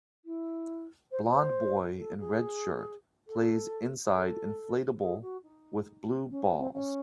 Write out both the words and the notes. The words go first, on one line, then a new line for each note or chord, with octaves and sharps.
Blond boy in red shirt plays inside inflatable with blue balls.
E4
C5
C5
A4
G#4
A4
A4
G#4
F#4
D#4
C#4
C4
C#4